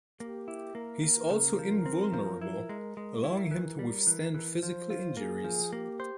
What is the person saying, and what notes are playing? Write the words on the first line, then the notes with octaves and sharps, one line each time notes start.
He's also invulnerable, allowing him to withstand physical injuries.
A#3 G4
E4
A#3 A#4
A#3
C#3
F3
C4
F3
E4 A#4
G#3
G#3 A#4
E4
E3
G3
E3
E3
F3 C5
F4
A#3 G#4
F3
A#3 G4
C5